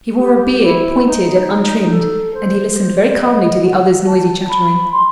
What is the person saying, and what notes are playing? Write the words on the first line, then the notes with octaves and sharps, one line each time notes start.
He wore a beard, pointed and untrimmed, and he listened very calmly to the other's noisy chattering.
G4
E4
D#4
A4
C5
C5
D#5
F#5
F#5
A5
A5
B5
C6